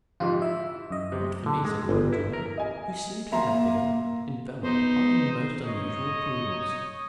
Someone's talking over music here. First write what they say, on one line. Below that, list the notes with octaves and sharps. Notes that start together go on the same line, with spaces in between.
"Not for me," said Mountjoy, who seemed to have been enveloped by a most unusual prudence.
F2 G#2 C3 F4
E4 E5
F#2 D#5
C3
D3
G#3
G1
E4
A#4
D#5 G#5
A#3 E5 A#5 C6
B3 D#4 C5
D#4 C#5 D#5